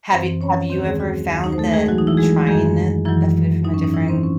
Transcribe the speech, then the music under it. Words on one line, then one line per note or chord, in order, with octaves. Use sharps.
Have you have you ever found that trying it a food from a different
F#2 E3 C4 C5
C#4 C#5
D#2 D#3 F#3 C4 C5
G#3 G#4
F#3 F#4
D#2 D#3 F#3
D#4
C5
A3 A4
G#3 G#4
A2 E3 F#3 F#4
D#4
E3 E4
G#3 G#4
F#2 D#3 F#3 G#3 G#4
F#2 D#3 E3 F#3 E4
G#2 F#3 D#4
C#4
D#4
E3 E4
C4 C5
F#3 C#4